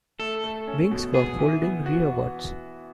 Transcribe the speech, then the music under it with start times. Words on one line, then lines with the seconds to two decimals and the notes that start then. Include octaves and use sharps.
Wings were folding rearwards.
0.19 A3 A4
0.44 A3
0.67 C#4
0.91 B2
1.14 B3 G#4
1.39 E3
1.62 B3
1.86 F#4